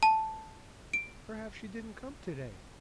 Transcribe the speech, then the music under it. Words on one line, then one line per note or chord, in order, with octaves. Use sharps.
"Perhaps she didn't come today."
A5
D7